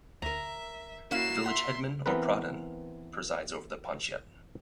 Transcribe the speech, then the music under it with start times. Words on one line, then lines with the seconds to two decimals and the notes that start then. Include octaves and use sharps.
The village headman or pradhan presides over the panchayat.
0.22 D2 A#4 E5 A#5
1.11 A#3 C#4 E4 F#4 F5 B5 C7 E7
1.46 E5 F#5 C6
2.06 E3 B3 C4 A#4 B4